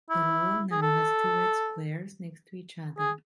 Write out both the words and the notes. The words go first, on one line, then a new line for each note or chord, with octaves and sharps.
The logo now has two red squares next to each other.
E4
G#4
A4
G#4